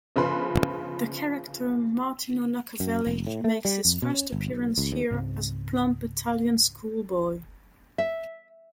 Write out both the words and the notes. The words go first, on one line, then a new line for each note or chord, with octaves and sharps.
The character Martino Knockavelli makes his first appearance here as a plump Italian schoolboy.
G1 C#3 F3 B4 B5 C6
F#2
F1
A2
A3
G3
F2
B2
C#4
G1
B1
C#2
D#2
C#2 G#2 C#3 C4
E5